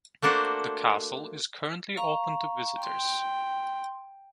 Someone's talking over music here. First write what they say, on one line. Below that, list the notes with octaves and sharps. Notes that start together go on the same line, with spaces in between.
The castle is currently open to visitors.
A3 A#3 D4 F#4 C5
F5 A#5 C#6
G5 C6